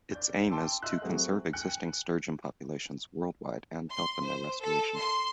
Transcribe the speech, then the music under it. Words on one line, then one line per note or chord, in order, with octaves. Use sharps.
Its aim is to conserve existing sturgeon populations worldwide and help in their restoration.
D5 G6
G5 A5 C6 D6 E6
D#5 E5 C6 E6 F#6
F#3 A3 C4 F#4 G#4
G5 G#5 F#6 C#7
C6
C5
A4
C6